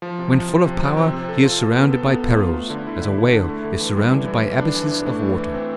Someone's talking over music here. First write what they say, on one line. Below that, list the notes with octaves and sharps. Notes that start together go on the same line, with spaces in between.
When full of power, he is surrounded by perils, as a whale is surrounded by abysses of water.
F3
C3
F3
F3
C3
C3
C4
C3
A4
F4
A4
B3
A4
B3
F4
F4
A3
D3
E4
D3
D3
D3
A3
D3
E3
G3
E3
E3
E3
D4
E3
D4
A3
E3
E3
C4